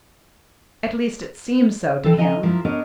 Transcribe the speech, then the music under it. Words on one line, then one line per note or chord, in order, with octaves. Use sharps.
At least, it seemed so to him.
E3 C4 A4
F3 D#5 G#5 A#5
F#2 F3 E4 A#4
B3 D4 A#4 C#5 D#5